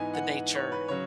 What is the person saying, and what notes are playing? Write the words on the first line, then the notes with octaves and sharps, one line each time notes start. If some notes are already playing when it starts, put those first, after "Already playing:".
the nature
Already playing: G#2 E3 B3 D#4 G#5
F#5
C#5
B4
C#3 F#3 C#5